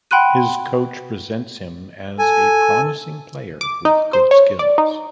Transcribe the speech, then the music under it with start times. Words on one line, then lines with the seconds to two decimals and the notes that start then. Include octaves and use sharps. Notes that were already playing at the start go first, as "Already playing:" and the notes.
His coach presents him as "a promising player with good skills".
0.11 F#5 G5 B5 C6 F#6 D#7
2.19 A4 G#5
3.61 D6
3.85 D#4
4.13 C5
4.31 C#5
4.59 D5
4.78 D#4